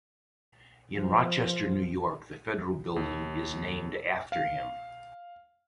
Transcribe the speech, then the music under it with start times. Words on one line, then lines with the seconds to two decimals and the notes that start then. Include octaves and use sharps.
In Rochester, New York the federal building is named after him.
0.96 F3
2.96 D#2
4.32 F5